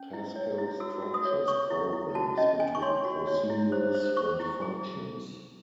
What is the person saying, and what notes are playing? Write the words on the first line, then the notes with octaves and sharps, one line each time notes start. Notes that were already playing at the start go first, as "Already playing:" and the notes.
Pascal structures programs into procedures and functions.
Already playing: C#4
E4
C#5
E4
F#4 E6
F#4
D#6
C#5
C#5 C#6
E4
E4
F#4 A5
C#4 D#5
C#4 G#5
C#6
C#5 C6
F#4
C#5
E4
C5
C5
C5 C#6
E4
G#4